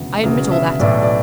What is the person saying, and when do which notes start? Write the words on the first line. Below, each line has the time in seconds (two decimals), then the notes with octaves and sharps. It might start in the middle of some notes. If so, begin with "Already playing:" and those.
I admit all that.
Already playing: E1 D2 C#3 E3
0.23 E1 D2 C#3 E3 E5
0.51 E5
0.79 B1 A2 E3 D5
1.03 D5